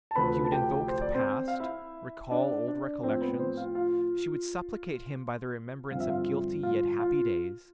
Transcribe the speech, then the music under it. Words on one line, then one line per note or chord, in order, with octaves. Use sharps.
She would invoke the past, recall old recollections; she would supplicate him by the remembrance of guilty, yet happy days.
A5
D2 C3 F3 A3 C4 B4 B5
A5
G4 G5
C5
D5
C4 C5
F5
E4 E5
D4 D5
D4 D5
A2 F3 C4 C5
B3 B4
C4 C5
F4 F5
F4 F5
G2 D3 F3 C4 F5
E5
F4 F5
F4 F5
F4 F5